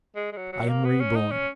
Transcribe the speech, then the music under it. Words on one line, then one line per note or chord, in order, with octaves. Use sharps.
I am reborn.
G#3
G#3
F#3
F#3
A#3
B3
C#4
D#4
C#4